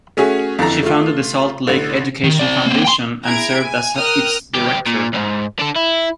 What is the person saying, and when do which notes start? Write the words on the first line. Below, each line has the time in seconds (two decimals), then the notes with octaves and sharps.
She founded the Salt Lake Education Foundation and served as its director.
0.17 A3 C#4 F#4 G#4
0.59 F2 D3 E3 A4 A#5
0.83 A3 F4
1.67 A1 D3
2.24 D#3
2.39 C4 D5
2.66 A#3 C4
2.84 G5 C6
3.25 E4 G#4 A#5 G#6 D7
3.62 G#5
3.97 A#4 G5 D#6 F6 F#6
4.55 D2 G4
4.87 A#2
5.14 B1 G#2
5.60 D4 A4
5.76 E4